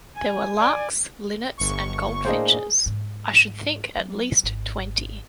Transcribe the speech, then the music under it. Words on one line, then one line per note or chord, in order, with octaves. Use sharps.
There were larks, linnets, and goldfinches — I should think at least twenty.
G#5
D5 G#5
G1 C#6
A2 A#3 D4 G#4 C5 D#5
G#2
F#3
G#1